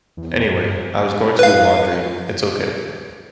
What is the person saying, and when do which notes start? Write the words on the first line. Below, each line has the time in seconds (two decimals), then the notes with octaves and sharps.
Anyway, I was going to do laundry, it’s okay.
0.17 E2
0.53 G2
1.39 B4 F5